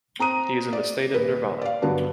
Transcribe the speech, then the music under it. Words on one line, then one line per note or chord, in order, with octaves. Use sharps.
He is in the state of Nirvana.
C4 A#5 D#6 D#7
D5
D#1 B4
D5 F5
G2 D3 F#3 B3 D4